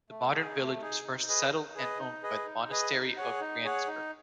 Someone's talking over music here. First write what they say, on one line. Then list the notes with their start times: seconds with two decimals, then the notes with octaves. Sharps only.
The modern village was first settled and owned by the Monastery of Frienisberg.
0.10 A3
0.33 D#4 G#4
0.57 A3
0.81 D#4 G#4
1.04 D#4
1.28 G#4 B4 D#5
1.51 D#4
1.74 G#4 B4 D#5
1.99 D#4
2.23 G#4 B4 D#5
2.46 D#4
2.69 G#4 B4 D#5
2.93 D#4
3.17 G#4 C#5 F#5
3.41 D#4
3.64 G#4 C#5 F#5
3.87 D#4